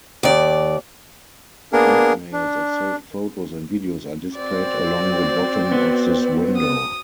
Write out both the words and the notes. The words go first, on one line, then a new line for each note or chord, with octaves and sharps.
Thumbnails of saved photos and videos are displayed along the bottom of this window.
D#2 D5
A#3 B3 D4 G#4 A#4
D4
C4 F#4 D5
B3
D#6